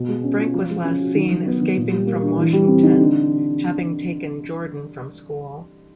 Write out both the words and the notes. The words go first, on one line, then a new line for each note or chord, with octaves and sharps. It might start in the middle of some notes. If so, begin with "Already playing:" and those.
Frank was last seen escaping from Washington, having taken Jordan from school.
Already playing: B2
G#3
C#4
F4
F3
G#3
C#4
F#4
D#3
F#3
B3
D#3
A#2
G3
A#3
D4
E3
G3
C4
D#4
D3